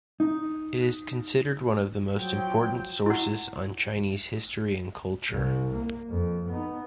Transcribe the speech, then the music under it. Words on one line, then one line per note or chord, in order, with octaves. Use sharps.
It is considered one of the most important sources on Chinese history and culture.
D#4
F3 F#3 G5
E4 F#5
C2
A#3
F2
B3 D#4